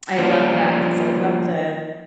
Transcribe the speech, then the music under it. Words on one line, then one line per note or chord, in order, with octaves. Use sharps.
I love that 'cause I love the
F3 G3 A#3 C#4 D4 F4